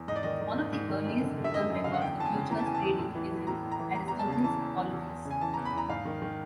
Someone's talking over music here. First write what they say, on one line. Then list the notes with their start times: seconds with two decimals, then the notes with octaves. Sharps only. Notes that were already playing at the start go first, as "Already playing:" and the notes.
One of the earliest written records of futures trading is in Aristotle's "Politics".
Already playing: E2
0.08 G#2 D#5
0.16 D5
0.23 D#3 D#5
0.41 D#3
0.57 G#2
0.73 G#2
0.89 D#3
1.05 F#2
1.21 D3
1.37 D3
1.44 E5
1.54 F#2 D#5
1.70 F#2
1.84 D3 F5
1.94 F#5
2.02 E2 G5
2.18 E2 A5
2.26 G#5
2.35 C#3
2.50 E3 A#5
2.59 A5
2.66 E2 G#5
2.74 A5
2.83 E2
2.99 A2
3.15 E3
3.31 E3
3.47 A2 A#5
3.63 A2
3.71 A#5
3.79 E3
3.95 E2 A#5
4.08 E2 A#5
4.19 A5
4.27 C#3
4.32 A5
4.43 E3 A5
4.60 E2
4.77 E2
4.93 E2
5.09 E2
5.25 C#3
5.31 G#5
5.41 E3 A5
5.54 E2 A#5
5.65 B5
5.73 E2 A#5
5.89 G#2 F5
6.05 D#3
6.22 D#3